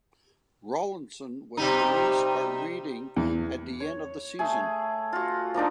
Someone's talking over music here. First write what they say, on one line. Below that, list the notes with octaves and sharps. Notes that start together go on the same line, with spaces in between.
Rollinson was released by Reading at the end of the season.
C3 G3 D#4
E2
C#5
A3 G#4
F4 F#4
F3 A#3 D4 D#4